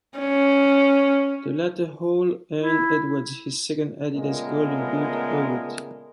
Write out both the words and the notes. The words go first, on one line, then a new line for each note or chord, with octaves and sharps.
The latter haul earned Edwards his second Adidas Golden Boot award.
C#4
E4
A#2 C#3 G#3 A3 B3 A#4